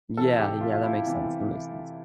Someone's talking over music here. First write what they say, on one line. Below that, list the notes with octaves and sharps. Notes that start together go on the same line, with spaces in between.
Yeah, yeah, that makes sense, that makes sense.
C3 E3 A4
G4
F4
F4
E4
C3 E3